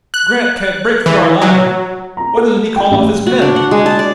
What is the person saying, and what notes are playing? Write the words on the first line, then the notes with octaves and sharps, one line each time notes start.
Grant can't break through our line! Why doesn't he call off his men?
F#6
E3
F#3
A#5
A4
G5
A1
F#4
D4
F#5
G#3
A5
D5